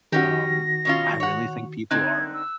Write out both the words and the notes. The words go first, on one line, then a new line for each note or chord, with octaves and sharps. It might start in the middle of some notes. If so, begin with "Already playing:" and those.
Um, I really think people are
D#3 C#4 F#4 G4 A#6
B2 C#4 F4
C#5 F#5
D3 C4 D#4 F#6 G#6
E6